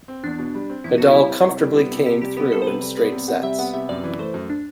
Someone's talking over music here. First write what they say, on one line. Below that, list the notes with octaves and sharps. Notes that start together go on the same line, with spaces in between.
Nadal comfortably came through in straight sets.
C4
E2 D4
B2
G3
C4
E2 E4
B2 F#4
G3 E4
C4
C3
G3
B3
C3
C3 G4
G3 G4
B3 G4
C3 A4
C5
C3 B4
G3
B3 D5
C3
C3 F#5
G3 E5
B3 F#5
C3 E5
F#2 D5
E3
A3 C5
F#2
D4